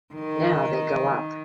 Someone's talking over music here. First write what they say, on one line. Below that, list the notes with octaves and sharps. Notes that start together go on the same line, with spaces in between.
Now they go up.
D#3